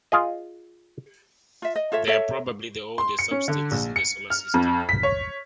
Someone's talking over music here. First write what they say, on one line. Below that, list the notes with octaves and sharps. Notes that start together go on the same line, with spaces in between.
They are probably the oldest substances in the Solar System.
F4 G#4 D#5
F4 E5
D#5
F4 A4 C#5 E5
A4 C#5 E5
C6
C#7
C#4
D3
A#1
C#7
F6
F2
B6
C#5